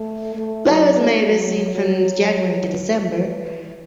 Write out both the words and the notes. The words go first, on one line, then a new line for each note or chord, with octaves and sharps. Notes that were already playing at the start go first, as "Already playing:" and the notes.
Flowers may be seen from January to December.
Already playing: A3
A3
F#3
A3
F#3
F#3
E3